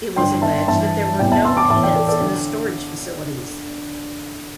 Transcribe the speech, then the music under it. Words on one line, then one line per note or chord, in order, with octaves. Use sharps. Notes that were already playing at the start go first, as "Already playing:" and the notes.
It was alleged that there were no peanuts in the storage facilities.
G2 D3 G5 C6
E5 A5
G2 E3 E5 A5
E2 C3 E3 D5 G5
E5 A5
C6 E6
A5 D6
A2 E3 E5 A5
D5 G5
A4 D5
A4 D5
D3